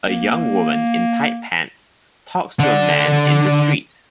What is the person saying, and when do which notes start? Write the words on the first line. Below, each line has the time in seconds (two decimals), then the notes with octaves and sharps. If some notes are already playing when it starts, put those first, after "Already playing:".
A young woman in tight pants talks to a man in the street.
0.06 A#3
2.60 D3 D4